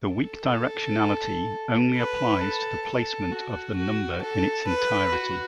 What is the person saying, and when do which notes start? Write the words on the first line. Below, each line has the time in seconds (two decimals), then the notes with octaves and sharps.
The weak directionality only applies to the placement of the number in its entirety.
0.14 A4
1.96 B4
2.41 A4
2.87 A4
3.32 F#4
3.76 F#4
4.21 A4
4.67 B4
5.13 F#4